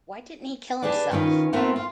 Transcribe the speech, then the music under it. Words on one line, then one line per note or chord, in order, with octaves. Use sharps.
Why didn't he kill himself!
D4 G4 G#4 B4 D5
D#3 C#4 F4 B4
A3 B3 C4 F4 A#4 E5
F4